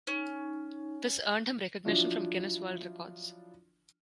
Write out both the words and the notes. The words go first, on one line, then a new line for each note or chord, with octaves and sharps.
This earned him recognition from Guinness World Records.
C#4 D#4
F3 F#3 D4 E4 F4